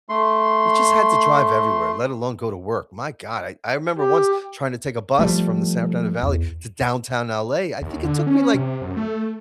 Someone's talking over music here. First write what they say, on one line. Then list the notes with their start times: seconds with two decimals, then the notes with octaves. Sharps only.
You just had to drive everywhere, let alone go to work; my god, I I remember once trying to take a bus from the San Fernando Valley to Downtown LA, I think it took me like
0.09 A3 C6
3.97 G4
5.19 F3 G3 A3
6.23 E2
7.82 D#2
8.04 D3
8.27 C#4
8.54 C3
8.81 F#2
8.97 A3